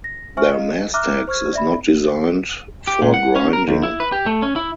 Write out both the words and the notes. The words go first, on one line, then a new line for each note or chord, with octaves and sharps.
Their mastax is not designed for grinding.
A#6
C5 E5 G#5 C#6 F6
D#5 F5
E5 A#5 D6 F6 F#6
C5 C#6 F6 G#6
D5 E5 B5
G4
A#2
F#5
C#4
A#4
D#2
E4
B4
G4
A3
C#4
E4